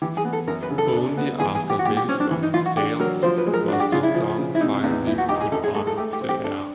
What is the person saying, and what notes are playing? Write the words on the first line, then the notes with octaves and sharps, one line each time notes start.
Only after very strong sales was the song finally put on the air.
E3 G4
G#4
B3
A4
F#2 A#4
B4
C#3
A4
D4
B3
E3 G#4
G#4
G3
G4
F#4
A#2 G4
G4
C4 C#4
D4
E3
D#4
E3 F4
F#4
D4 G4
F#3 A#4
F3 C5
B4
G#3
A#4
D4 F#4
G4
C#3 F4
E4
F3
C#3
E4
C3 D#4
E2
D#4
A#2 E4
F#4
D#4 G4
G#4
F#2 A4
G#4
G#3 A4
A4
A3 G4
G4
C4
G4
D4 A4